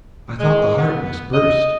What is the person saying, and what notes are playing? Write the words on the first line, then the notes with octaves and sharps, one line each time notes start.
I thought the heart must burst.
G#3
B3
D#5